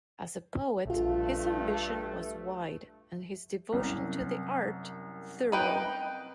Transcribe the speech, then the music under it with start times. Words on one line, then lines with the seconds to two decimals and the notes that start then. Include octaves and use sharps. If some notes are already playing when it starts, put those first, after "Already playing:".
As a poet, his ambition was wide and his devotion to the art thorough.
0.85 A#1 G2 A3 F4
3.72 C2 F#2
5.52 D#4 B4 G5